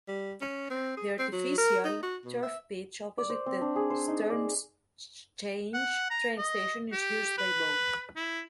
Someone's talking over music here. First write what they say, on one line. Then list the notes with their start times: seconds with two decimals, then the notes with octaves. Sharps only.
The artificial turf pitch opposite the "Sternschanze" train station is used by both.
0.08 G3
0.41 C#4
0.70 C4
0.97 G#4
1.19 C4
1.32 F#3
1.58 A#4
1.84 D#4
2.03 F#4
2.25 B2
2.43 E5
3.18 D5
3.30 C5
3.46 C4
3.62 D4
3.76 G#4
3.90 C5
4.08 D#4
4.30 D5
5.74 F#5
6.10 A#5
6.38 D#5
6.92 G4
7.38 B4
8.16 E4